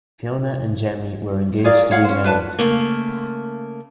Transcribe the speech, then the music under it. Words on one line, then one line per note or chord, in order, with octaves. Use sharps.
Fiona and Jamie were engaged to be married.
G#4 A#4 D5 F5
C#5 F5 F#5
C#4 C5
D4 B4 A5
C#3 A3 A#3